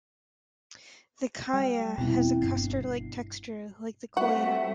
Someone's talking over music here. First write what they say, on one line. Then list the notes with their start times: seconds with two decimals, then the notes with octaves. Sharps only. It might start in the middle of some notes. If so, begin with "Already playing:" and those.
The "kaya" has a custard-like texture like "khoya".
1.54 G3 G5
1.98 E2 B2 B3 C4 E4
2.42 G1 C7
4.17 G3 A3 C4 F#4 E5 F#5